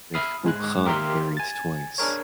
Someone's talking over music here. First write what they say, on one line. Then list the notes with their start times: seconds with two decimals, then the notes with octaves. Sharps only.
Mehboob Khan married twice.
0.14 E5 B5 D#6 F6 C7
0.44 G#2 G#3 F#6
0.86 G4 A#4 E5 F5 A#5 C6
1.37 G#5 A6
1.98 D4 G#4 A#4 C#5